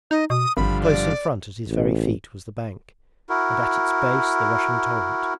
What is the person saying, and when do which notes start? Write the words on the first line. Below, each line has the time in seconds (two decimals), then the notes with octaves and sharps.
Close in front at his very feet was the bank, and at its base the rushing torrent.
0.11 D#4 D#5
0.30 B2 D#6
0.57 G#1 G2 D3 F3 B5
0.83 D5
1.69 A1
3.29 E4 F#4 A#4